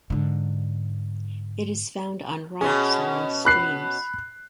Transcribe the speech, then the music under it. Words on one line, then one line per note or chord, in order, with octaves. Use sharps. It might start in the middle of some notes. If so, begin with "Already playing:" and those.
It is found on rocks along streams.
G#2 D3
B2 C#4 G#4
B5 F#6 C7